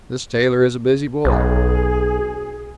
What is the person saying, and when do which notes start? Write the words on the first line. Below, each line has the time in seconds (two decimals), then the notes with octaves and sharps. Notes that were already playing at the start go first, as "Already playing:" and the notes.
This tailor is a busy boy.
1.25 B1 G#4